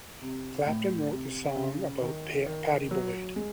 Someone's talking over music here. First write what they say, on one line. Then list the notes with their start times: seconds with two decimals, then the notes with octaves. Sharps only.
Clapton wrote the song about Pattie Boyd.
0.21 C3
0.66 A2
1.11 C3
1.56 C#3
2.01 D#3
2.46 D#3
2.91 F#3
3.36 G#3